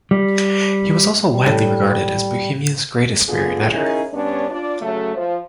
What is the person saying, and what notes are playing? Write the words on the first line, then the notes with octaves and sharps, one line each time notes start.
He was also widely regarded as Bohemia's greatest marionnetter.
G3
G3
A2
D3 B3 F4 G#4
C#4 D#4 E4 G#4 A#4
G2 B3 C#4 D4 C#5
D4 F4 D5
C#3 F#3 A3
F3